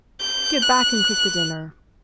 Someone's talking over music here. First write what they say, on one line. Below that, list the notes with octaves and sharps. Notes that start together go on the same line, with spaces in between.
Get back and cook the dinner.
G6
F#6